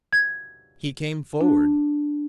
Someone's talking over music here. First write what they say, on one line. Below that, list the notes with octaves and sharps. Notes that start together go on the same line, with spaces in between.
He came forward.
G#6
D4